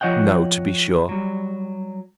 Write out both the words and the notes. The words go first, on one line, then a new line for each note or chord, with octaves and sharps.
No, to be sure!
F3 C#5 D#5 F#5 G5
F#3 G3